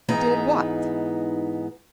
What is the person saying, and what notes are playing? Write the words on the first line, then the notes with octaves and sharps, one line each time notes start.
"Did what?"
G#2 E3 B3 D#4 A#5